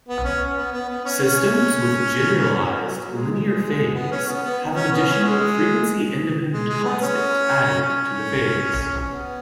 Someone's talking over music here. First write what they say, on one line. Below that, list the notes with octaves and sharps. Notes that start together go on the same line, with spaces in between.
Systems with generalized linear phase have an additional frequency-independent constant added to the phase.
B3
C#4
B3
B3
B3
C#4
C#4
B3
F#3
F#3
G#3
G#3
B3
C#4
B3
B3
C#4
B3
C#4
G#3
G#3
G#3
B3
C#4
C#4
B3